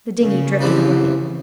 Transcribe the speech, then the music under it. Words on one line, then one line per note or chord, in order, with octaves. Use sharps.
The dinghy drifted away.
C#3
C3 E3 F3